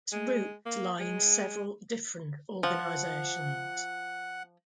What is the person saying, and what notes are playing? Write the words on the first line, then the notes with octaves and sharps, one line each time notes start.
Its roots lie in several different organisations.
G#3
A#3
G#3
F3 F#5